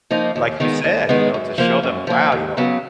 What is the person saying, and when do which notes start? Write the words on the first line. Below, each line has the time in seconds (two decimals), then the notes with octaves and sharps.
like, you said, you know, to show them, "Wow, you know,
0.11 F3 A#3 D#4
0.36 D#2
0.60 D#3 G#3 B3
0.84 D#2
1.09 D#3 G#3 B3
1.34 F#2
1.58 F3 A#3
1.83 F#2
2.07 F3 A#3
2.32 D#2
2.57 C#3 F#3 B3